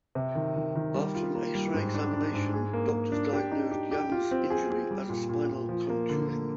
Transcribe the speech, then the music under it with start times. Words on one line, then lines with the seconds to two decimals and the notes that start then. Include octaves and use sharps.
After an X-ray examination, doctors diagnosed Yang's injury as a spinal contusion.
0.15 C3
0.35 D#3
0.56 D#3
0.75 D#3
0.94 G3
1.15 F4
1.35 A#3
1.55 G3
1.74 G#2
1.94 D4
2.13 D4
2.34 G#2
2.54 G#4
2.73 A#3
2.92 A#3
3.12 D4
3.33 G4
3.51 D#4
3.71 G4
3.91 G4
4.12 F4
4.31 C4
4.50 G#4
4.70 G#4
4.91 G3
5.09 A#2
5.29 A#2
5.50 A#2
5.69 F3
5.90 A#3
6.09 D3
6.28 A#3